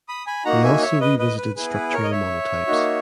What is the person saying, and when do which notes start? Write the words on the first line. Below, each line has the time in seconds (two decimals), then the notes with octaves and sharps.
He also revisited structural monotypes.
0.08 B5 D#6
0.27 G#5 B5
0.45 A#3 D#4 F#4 F#5 A#5
0.64 E5 G#5
0.82 C#5 E5
1.01 B4 D#5
1.19 B4 D#5
1.37 B4
1.56 B3 E4 G#4 B4
1.74 B4
1.93 A#4 C#5
2.03 D#5
2.11 C#5 E5
2.67 A#3 D#4 F#4